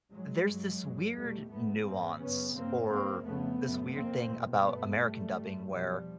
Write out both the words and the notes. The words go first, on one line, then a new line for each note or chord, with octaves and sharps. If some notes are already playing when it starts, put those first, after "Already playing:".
there's this weird nuance, or this weird thing about American dubbing where
G#2 F#3 G#3
G2
G2
E2 B2 G3 A3
G#2 A3 B3
G#2 A#3 C4
F#2 C#3 B3 C#4
G2 A#3 C4
G2 A#3 C4
F2 C#3 A3 B3
F#2 C#3
F2 C#3 A#3 C4
E2 B2
G2 A3 B3
G2 G3 A3
G#2
E2 B2 F3 G3